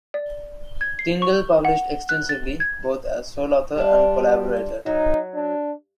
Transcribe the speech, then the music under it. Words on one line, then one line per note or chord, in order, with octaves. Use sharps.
Tindale published extensively, both as sole author and collaborator.
D5
G#6
C7
C#6
F#5
F#6
A6
G#6
G3 D4 F4
F#3 D#4
D4